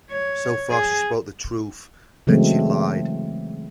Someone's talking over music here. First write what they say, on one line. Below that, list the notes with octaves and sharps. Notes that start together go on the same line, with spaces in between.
So far she spoke the truth; then she lied.
C#5
G#4
C#3 E3 F#3 G#3 A3 C4